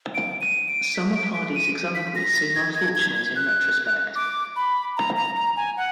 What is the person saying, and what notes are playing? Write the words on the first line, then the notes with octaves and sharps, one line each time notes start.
Some of Hardy's examples seem unfortunate in retrospect.
D7
D#7
D7
B6
D7
D7
D#7
B6
A#6
A#6
G#6
G#6
G#6
G#6
F#6
D6
B5
A#5
A#5
A#5
G#5
F#5